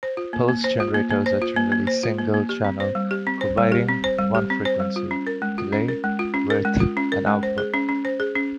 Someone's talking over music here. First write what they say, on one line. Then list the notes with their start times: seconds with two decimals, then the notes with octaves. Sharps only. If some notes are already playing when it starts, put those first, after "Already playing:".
Pulse generators are generally single-channel providing one frequency, delay, width and output.
0.03 C5
0.17 F4
0.33 A#3
0.49 A#3
0.64 C5
0.80 F4
0.94 A#3
1.11 A#3
1.26 C5
1.42 F4
1.56 A#3
1.72 A#3
1.87 C5
2.03 F4
2.18 A#3
2.34 A#3
2.49 G4
2.64 C4
2.80 C5
2.95 G3
3.11 G4
3.27 C4
3.41 C5
3.58 G3
3.72 G4
3.88 C4
4.04 C5
4.18 G3
4.35 G4
4.50 C4
4.65 C5
4.80 G3
4.96 F4
5.11 C#4
5.27 A#4
5.42 G#3
5.58 F4
5.73 C#4
5.88 A#4
6.04 G#3
6.19 F4
6.34 C#4
6.50 A#4
6.65 G#3
6.80 F4
6.97 C#4
7.12 A#4
7.27 G#3
7.43 C5
7.58 G#4
7.74 C#4
7.89 C#4
8.05 C5
8.20 G#4
8.35 C#4